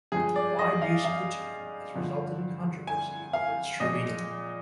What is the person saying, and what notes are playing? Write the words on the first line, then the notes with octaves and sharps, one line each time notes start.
Wide use of the term has resulted in controversy over its true meaning.
G2 F3 G#3 G#4
D5
D#5
F5
F5
G2 D3 F3
G#5
F5
A#2 F3 G#3 D#5